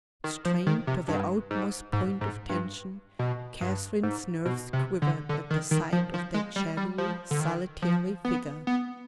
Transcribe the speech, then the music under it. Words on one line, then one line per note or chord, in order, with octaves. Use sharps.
Strained to their utmost point of tension, Catherine's nerves quivered at the sight of that shadowy solitary figure.
D#3
F3
D#3
C3
G2
G#2
G#2
G#2
G2
B2
G2
G#2
B2
C3
D3
D3
D#3
D#3
F3
F3
G#3
G3
G3
F3
D3
D#3
F3
B3
B3